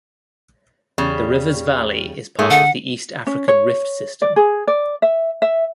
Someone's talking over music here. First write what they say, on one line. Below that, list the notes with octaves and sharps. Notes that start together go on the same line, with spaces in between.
The river's valley is part of the East African Rift system.
E2 C#3 G3
G#2 A3 A#3 G#4
D3 F#5
C#4
C#5
D5
G#4
D5
E5
E5